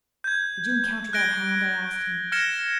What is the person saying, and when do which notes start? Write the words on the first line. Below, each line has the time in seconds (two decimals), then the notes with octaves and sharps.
'Did you encounter that hound?' I asked him.
0.24 G6 G#6
1.13 F#6 G#6 A#6 D7 G7
2.32 F6 G#6 A#6 C#7 E7 G7